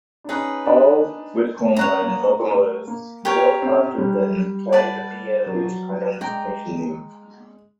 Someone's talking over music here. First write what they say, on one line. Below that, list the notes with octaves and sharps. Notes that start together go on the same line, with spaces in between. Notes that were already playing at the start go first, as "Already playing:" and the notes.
All Whitcomb line locomotives built after then carried the B-L-H identification name.
D4
C#4 D#4 G#4 B4
D4
C#4 C#5 F#5 A#5
A#3
A3
A3
A#3
B3 G4 A#4 C#5
C4
C#4
C4
G3
B4 D5 F#5 A5
F#3
F3
F#3
G#3 D5 G5 A#5